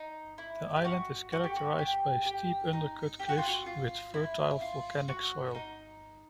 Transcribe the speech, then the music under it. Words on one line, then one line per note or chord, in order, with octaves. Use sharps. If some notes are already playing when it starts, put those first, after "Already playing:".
The island is characterized by steep undercut cliffs, with fertile volcanic soil.
Already playing: D#4
E4
G4
F#4
F#4
G4
F#4
G4
G4
D#4
G4
F#4
F4
F#4
F4
E4
F4
F#4
D#4